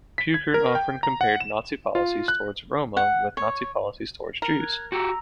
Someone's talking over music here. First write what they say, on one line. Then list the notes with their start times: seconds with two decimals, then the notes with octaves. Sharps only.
Peukert often compared Nazi policies towards Roma with Nazi policies towards Jews.
0.18 B6
0.34 G#6
0.54 A#4
0.75 G5
1.03 A#5
1.21 F#5
1.40 E7
1.95 F4
2.28 F#6
2.97 F#5
3.37 C#5
4.42 A#4
4.59 F#6 G#6
4.92 F#4 G4 A#5 E6